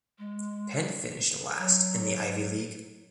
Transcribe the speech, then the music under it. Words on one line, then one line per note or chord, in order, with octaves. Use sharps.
Penn finished last in the Ivy League.
G#3
F#3